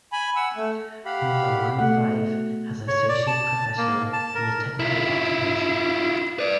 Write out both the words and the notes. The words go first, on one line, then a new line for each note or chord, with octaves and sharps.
More than one in five has an associate professional and technical occupation.
G#5 B5
F#5 E6
A3
G4 F5 F#5 B5
B2 A3 F#5
C#5
D5
A5
A#3
A5
A#4
E4 F4
B4 D5